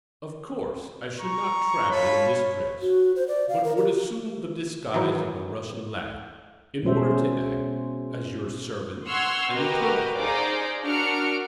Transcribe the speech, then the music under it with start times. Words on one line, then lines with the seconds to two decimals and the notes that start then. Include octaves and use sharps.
Of course, I should not travel in this dress, but would assume the disguise of a Russian lad, in order to act as your servant and interpreter.
1.18 A#5 C#6
1.91 F4 C#5 A5 B5
2.82 F#4
3.16 C5
3.28 D5
3.49 F5
3.64 A#4
3.77 G4
4.93 D#3 E3 F#3 D#4 E4
6.83 B2 G#3 C#4 C5 E5
9.07 F#5 C6 C#6 E6 F6 G#6
9.53 F#4 G4 A#4 B4 D#5 F6
10.16 D#4 G#4 C5 D5 F5 D6
10.83 D4 F#4 A#4 F6 C#7 D7